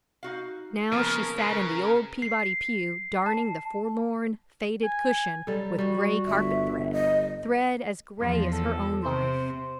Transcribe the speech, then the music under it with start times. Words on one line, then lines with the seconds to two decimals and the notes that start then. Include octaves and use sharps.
Now she sat in the old Peabody pew darning the forlorn, faded cushion with grey carpet-thread: thread as grey as her own life.
0.23 D#4 F#4 F5
0.92 C#3 F3 A#3 B3 A#4
1.38 C#3 B4
2.22 C7
3.26 A5
4.83 G#5
5.47 F#3 G3 A4
5.79 G3 F#4
6.27 G1 E5
6.92 D#5
8.21 E2 F3 F4
8.52 A4
9.04 C3 C5